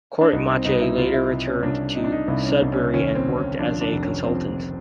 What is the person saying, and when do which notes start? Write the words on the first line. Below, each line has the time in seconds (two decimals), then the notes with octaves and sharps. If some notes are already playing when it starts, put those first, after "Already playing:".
Courtemanche later returned to Sudbury and worked as a consultant.
0.21 D4
0.32 C2 D#4
0.49 C4
0.65 C2 D#4
0.82 E4
0.97 C2 F4
1.14 E4
1.30 C3
1.47 C#4
1.62 C2 D4
1.95 C3 D#4
2.04 D4
2.12 D#4
2.28 C2 E4
2.44 C#4
2.50 D4
2.61 C2
2.72 C#4
2.94 D#2 C#4
3.15 C4
3.26 D3
3.38 C#4
3.59 F3 D4
3.81 D4
3.92 F1
4.03 C#4
4.24 F3 C4